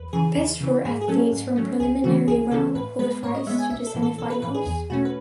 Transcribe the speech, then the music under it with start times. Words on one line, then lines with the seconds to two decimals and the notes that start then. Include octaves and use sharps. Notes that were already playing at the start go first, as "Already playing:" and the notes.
Best four athletes from preliminary round qualifies to the semifinals.
Already playing: E2 B4
0.13 C#3 E3 G#4
0.36 E2
0.61 C#3 E3
0.85 G#2 G#4
1.01 G#4
1.08 F#3 A3 C#4 A4
1.32 G#2
1.56 F#3 A3 C#4
1.80 C#2 G#4
2.04 C#3 E3 A3 C#4 F#4
2.28 C#2 G#4
2.51 C#3 E3 A3 C#4 A4
2.75 A2 B4
2.99 G#3 B3 B4
3.23 A2 C#5
3.35 D#5
3.47 G#3 E5
3.51 B3
3.59 G#5
3.70 B1 E5
3.87 A4
3.95 A2 E3
4.02 A4
4.18 B1 A4
4.30 B4
4.42 A2 E3 B4
4.54 G#4
4.66 E2 G#4
4.90 B2 A3 C#4 F#4
5.05 B4